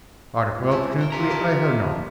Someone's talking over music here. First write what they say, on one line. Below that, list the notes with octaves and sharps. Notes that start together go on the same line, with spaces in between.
"Unfortunately, I have not."
C#2
A3 C#4 E4
A4 A#4 G5
A#2 F4 G4 A#4 E5 A#5
D4 E4 F5
F3